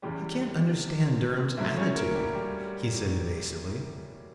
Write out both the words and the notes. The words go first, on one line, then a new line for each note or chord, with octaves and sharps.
"I can't understand Durham's attitude," he said evasively.
E2 C#3 E3 G3 G4
D2 D3 F#3 E4 E5
C#4 C#5
A#3 A#4
G3 G4
G3 G4